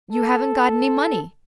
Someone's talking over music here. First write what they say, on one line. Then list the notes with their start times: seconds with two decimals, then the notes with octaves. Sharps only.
"You haven't got any money."
0.12 A4